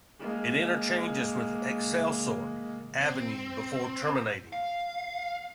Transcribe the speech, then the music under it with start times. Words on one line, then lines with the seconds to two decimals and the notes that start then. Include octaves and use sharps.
It interchanges with Excelsior Avenue before terminating.
0.19 G#3 A#3
3.01 C4
4.53 F5